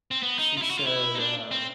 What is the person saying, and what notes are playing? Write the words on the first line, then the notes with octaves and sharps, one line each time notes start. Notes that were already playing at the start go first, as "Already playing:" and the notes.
she said, uh,
C4
B3
D#4
F4
E4
F#4
F4
E4
D#4
D4
C4